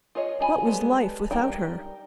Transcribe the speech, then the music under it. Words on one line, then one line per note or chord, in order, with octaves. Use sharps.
What was life without her?
F4 G#4 C#5 D#5
D4 G#5 B5
G3 G#3 B3 A4
G3 D#4 A#4 D5 G5